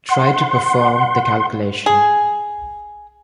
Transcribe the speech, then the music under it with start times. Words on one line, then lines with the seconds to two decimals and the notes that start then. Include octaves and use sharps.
Try to perform the calculation.
0.09 F#5 C6
1.86 G#4